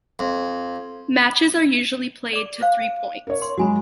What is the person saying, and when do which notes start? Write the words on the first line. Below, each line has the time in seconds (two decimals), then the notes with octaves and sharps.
Matches are usually played to three points.
0.19 F2
2.33 D5 D6
2.61 C5 F5
3.27 A#4 C#5
3.42 C6
3.58 F#3 G#3 F#4 G#5 B5